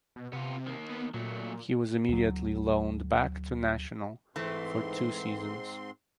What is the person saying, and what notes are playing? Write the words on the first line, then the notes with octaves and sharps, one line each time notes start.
He was immediately loaned back to Nacional for two seasons.
B2
C3 B3 F4
D#3 A#3
B3
A#2 F#3 A3
D2 F#3
G#2 E3 A3 C4 C6